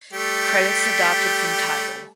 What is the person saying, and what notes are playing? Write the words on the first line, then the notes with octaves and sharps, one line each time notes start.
Credits adopted from Tidal.
G3 A3 G4